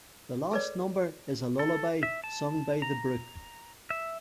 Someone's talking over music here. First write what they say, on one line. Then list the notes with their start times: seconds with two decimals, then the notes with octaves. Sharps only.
The last number is a lullaby sung by the brook.
0.51 G#4 A4 B4 C#5 D5
1.59 A4
2.03 E5
2.24 A5
2.82 A#5
3.90 E5